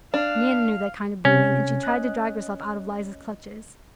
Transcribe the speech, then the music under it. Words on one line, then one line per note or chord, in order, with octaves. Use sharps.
Nana knew that kind of breathing, and she tried to drag herself out of Liza's clutches.
D4 F5
C3 C#4
D#5 F#6